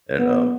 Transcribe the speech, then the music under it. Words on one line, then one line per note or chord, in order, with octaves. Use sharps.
and, um,
B3